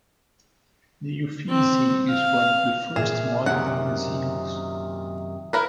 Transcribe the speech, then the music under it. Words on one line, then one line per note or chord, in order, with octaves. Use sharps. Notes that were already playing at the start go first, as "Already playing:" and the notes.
The Uffizi is one of the first modern museums.
C4
F5
A#2 G#4 E5
F#2 C3 D#3 F#5
E4 A#4 B4